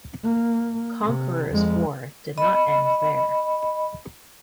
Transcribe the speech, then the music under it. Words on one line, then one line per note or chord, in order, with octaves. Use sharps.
"Conqueror"s war did not end there.
A#3
C3
F2 G#3
D#5 B5